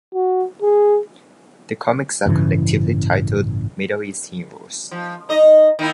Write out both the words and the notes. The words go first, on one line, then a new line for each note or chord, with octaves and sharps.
The comics are collectively titled "Middle East Heroes".
F#4
G#4
A1 G2 C#3 E3
F3
D#4 D#5
D#3 A#3 E4